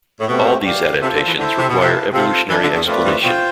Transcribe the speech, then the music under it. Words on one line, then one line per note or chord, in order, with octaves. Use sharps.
All these adaptations require evolutionary explanation.
A2
B2 A3 C4 G4
G4 D5 F5
C3 F4 A4 C5
D3
E3
D3 E4 A4 C5 E5
C3
B2
C3 E4 B4 F5 A5
C3 C4 F4 A4 C5 F5
E3 D4 A4 E5
D3
E2
F2 A3 C4 F4 B4 D5
G2
B2 F4 C5 G5